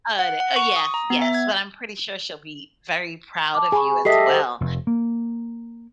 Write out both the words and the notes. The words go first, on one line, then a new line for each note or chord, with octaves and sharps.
Uh, de uh, yes, yes, but I'm pretty sure she'll be very proud of you as well.
F#5
F#5
C#6
D#6
A#5
B3
E5
G#6
A5 D6
G#4 G#5 B5 C#6
G4 A4 D#5 E5 B6 C7
C5 F#5
F1
A#3